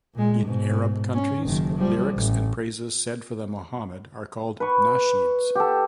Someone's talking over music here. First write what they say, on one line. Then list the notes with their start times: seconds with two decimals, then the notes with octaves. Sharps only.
In Arab countries, lyrics and praises said for the Muhammad are called Nasheeds.
0.14 A#2 G#3
0.45 G#2 B2
1.14 C#4
1.46 F#1 D#3
1.77 F3 G3
2.14 A1
4.60 B4 C#6
5.55 G4 A4